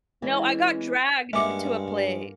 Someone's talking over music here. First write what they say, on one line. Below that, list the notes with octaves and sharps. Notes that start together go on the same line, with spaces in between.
No, I got dragged to a play.
E3 G#3 C#4
G2 G#3 A#3 C#4 E5 F#5 C#6 D6